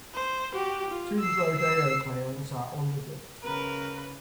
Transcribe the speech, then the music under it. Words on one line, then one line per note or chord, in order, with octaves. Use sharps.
Two rodeo clowns are on the dirt.
C5
F#4 G4
F4
E6 C7
E6 C7
C#3 A#4 B4